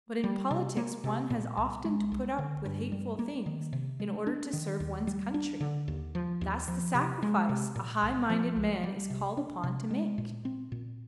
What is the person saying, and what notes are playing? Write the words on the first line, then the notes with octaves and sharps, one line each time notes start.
"But in politics one has often to put up with hateful things in order to serve one's country. That's the sacrifice a high-minded man is called upon to make."
G3
C3
A#3
C3
A#2
C2
G#3
C2
D3
G2
G3
A#3
D#3
C3
G#3
D4
D#3
D#2
G3
D4
D3
D#2
F3
D#2
F3
C3
G#3
C3
A#2
C2
F3
C2
G3
C3
D4
C3
G#3
A#2
C4
A#2